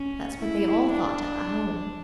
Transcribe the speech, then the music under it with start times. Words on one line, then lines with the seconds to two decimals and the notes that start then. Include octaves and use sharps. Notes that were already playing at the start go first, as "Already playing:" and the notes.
That's what they all thought at the Home.
Already playing: C#4
0.41 E4
0.91 D4